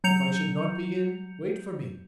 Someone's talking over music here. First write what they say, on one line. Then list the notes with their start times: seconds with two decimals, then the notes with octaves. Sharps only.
"If I should not be in, wait for me."
0.04 F#3 G6 C#7 F7